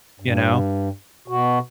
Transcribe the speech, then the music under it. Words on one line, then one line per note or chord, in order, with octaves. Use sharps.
you know,
G2
B2 F#4